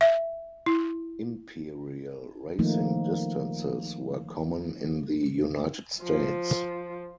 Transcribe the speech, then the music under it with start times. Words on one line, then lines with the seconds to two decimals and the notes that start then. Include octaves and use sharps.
Imperial racing distances were common in the United States.
0.01 E5
0.66 E4
2.59 D#3 F3 A3 A#3 D#4
6.02 F3